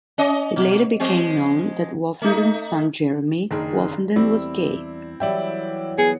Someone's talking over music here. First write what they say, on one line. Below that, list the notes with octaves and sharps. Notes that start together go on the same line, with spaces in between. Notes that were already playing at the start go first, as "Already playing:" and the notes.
It later became known that Wolfenden's son Jeremy Wolfenden was gay.
C#4 D#5
B2
F3 G#3 C4
A3 D#4
F#1 D#3 D4 G#4
E2 G3 C4 E4 D5
E3 F#3 G3 D5 E5 G5
B3 G#4 C#7